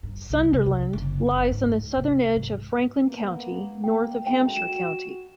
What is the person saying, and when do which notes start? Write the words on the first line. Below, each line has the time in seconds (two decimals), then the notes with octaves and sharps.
Sunderland lies on the southern edge of Franklin County, north of Hampshire County.
0.03 G2
0.30 C2
0.53 C3
0.93 F#1
1.27 F#1
1.52 G#2
1.97 C3
2.36 G#2
3.03 F#2 A#3 B3
3.84 A#3 G5
4.27 F#2 A2 G#3 G5
4.56 F#4 E7